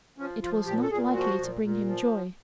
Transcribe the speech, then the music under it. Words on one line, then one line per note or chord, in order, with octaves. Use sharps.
It was not likely to bring him joy.
F3 C#4
F3 F4
A#2 G4
A4
A#2 G#4
F3 F#4
A#2
A#2
F3